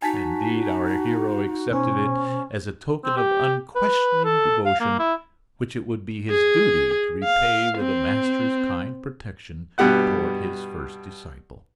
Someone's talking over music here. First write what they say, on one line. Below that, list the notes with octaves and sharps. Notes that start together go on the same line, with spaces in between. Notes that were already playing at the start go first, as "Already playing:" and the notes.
Indeed, our hero accepted it as a token of unquestioning devotion which it would be his duty to repay with a master's kind protection toward his first disciple.
D#4 F#4 G#5 A5 B6
B2 C#4 C5
C4
G4
B4
A4
F5
A#3
E4
G#4
F5
C4
G2 B2 G4 F#5 F#6